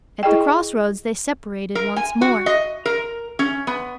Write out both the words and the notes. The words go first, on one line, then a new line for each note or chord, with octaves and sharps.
At the cross roads they separated once more.
E4 G#4 D#5 G5
A#4
G#5
F#4
D#5
A#4
C#4
B3